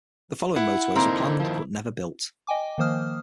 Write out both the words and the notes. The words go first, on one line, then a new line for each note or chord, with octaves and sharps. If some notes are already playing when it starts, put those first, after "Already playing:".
The following motorways were planned, but never built.
E4 F#5
D3 A#3 C4 D#4
D#3 F3
D#5 G5 G#5 D6
D#3 F3 A#3 C5 D#6 F6